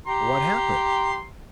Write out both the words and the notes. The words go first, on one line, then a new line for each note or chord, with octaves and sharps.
"What happened?"
G4 A#5 C6